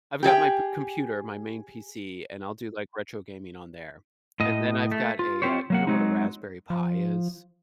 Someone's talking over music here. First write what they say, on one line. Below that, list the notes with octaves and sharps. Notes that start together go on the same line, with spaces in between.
I've got my computer my main PC, and I'll do, like, retro gaming on there, and then I've got a, uh, you know what a Raspberry Pi is?
G4 G#4 D#5 G5
A2 D#5
A3
F4
C4 F4 G4 C5 C#5
F#3 A#3 F#5
F#3 G#3 C4 D#4
F3